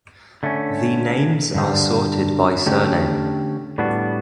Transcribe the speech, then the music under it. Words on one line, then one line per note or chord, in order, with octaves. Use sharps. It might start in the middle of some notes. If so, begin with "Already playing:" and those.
The names are sorted by surname.
D3 A3 C#4
G2 D3 G3
D3 A3 C#4 G4
A2 G3 B3 D4 F#4